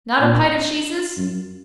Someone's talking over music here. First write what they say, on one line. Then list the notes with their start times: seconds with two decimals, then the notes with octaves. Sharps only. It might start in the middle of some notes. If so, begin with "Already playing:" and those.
Not a pite of sheeses?
0.20 A#2
1.17 F#2